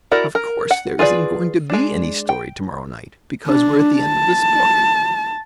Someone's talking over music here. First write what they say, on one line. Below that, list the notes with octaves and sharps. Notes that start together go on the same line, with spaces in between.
Of course there isn't going to be any story to-morrow night, because we're at the end of this book.
E4 F#4 A#4 D5
A#4
F#5
F4 G#4 B4 D5
G#3 D4
G5
D4
A5